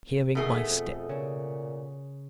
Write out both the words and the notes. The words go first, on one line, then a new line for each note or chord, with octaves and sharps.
Hearing my step!
B2 D#3 A3 G#4
F2
A#2 C#3